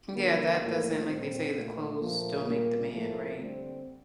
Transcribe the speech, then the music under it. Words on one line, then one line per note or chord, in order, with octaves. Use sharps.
Yeah, that doesn't like, they say the clothes don't make the man, right?
D3 G3 A#3
A2 F3 A3 A#3
A#2 G3 C4
A#2 A3 A#3
A#2 F3 A3 A#3
A#2 G3 A#3
A2 F3 A3 A#3
D3 G3 C4